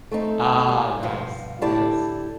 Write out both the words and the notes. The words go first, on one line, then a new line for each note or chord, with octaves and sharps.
Ah, nice. Yes.
A3 C4 D#4
G3
G2 B2 F3
A2 D3 E4 G4 D5 A5